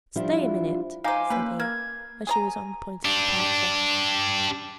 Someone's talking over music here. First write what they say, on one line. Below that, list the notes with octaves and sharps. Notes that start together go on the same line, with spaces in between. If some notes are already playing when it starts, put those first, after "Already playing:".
"Stay a minute," said he, as she was on the point of departure.
F3 G3 D4 E4 F4
D#4 C5 F5 G#5 D6
A#3 C#4 G4 B4
A#3 G#6
G#4 C#5 G#5 A#5
D4 G4